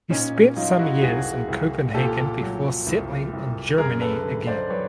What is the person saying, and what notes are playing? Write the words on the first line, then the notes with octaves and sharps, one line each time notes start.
He spent some years in Copenhagen before settling in Germany again.
A#2 C#4 D#4
F#3 D#4 F4
E4 F#4
C2 F#4 G#4
C2
A#2 G4 A4
F#3
C2
C2
F#2 G#4 A#4
A4 B4
D3
C5 D5
F#3 B4 C#5